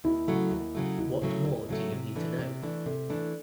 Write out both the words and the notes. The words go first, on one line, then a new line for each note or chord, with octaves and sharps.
What more do you need to know?
D#2 E4
C#3 F#3 A3
D#2
C#3 F#3 A3
D#2 E4
C#3 F#3 A3
D#2
C#3 F#3 A3
C3
E3 A3 D4
C3
E3 A3 D4
C3 A4
E3 A3 D4